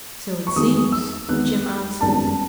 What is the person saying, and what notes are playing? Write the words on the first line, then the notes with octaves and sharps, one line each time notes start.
"So it seems," Jim answered.
C#6
E2 D#3 G#3 B3 D#6
E6
E2 D#3 G#3 B3 F#6
G#1 F#2 D#3 G#3 B3 A5